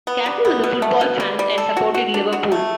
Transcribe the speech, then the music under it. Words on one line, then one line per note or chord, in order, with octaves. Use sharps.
Castle was a football fan and supported Liverpool.
B3
G3
B3
B2
A3
B2
G3
G3
A4
F#4
F#4
D4
F#4
A3